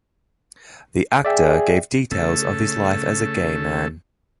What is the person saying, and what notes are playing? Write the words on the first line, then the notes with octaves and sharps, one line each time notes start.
The actor gave details of his life as a gay man.
G#4 D5 E5 G5
C#3 A3 A4